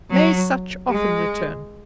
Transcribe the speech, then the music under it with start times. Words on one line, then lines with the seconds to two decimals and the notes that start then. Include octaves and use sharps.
May such often return.
0.10 F#3
0.89 G#3